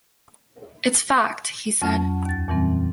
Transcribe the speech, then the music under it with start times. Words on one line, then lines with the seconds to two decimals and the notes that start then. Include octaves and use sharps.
"It's fact," he said.
1.82 F2 F#3 C#4 F#5 A5 F6
2.26 D#2 A6
2.48 F2 A#2 E3 G3 C4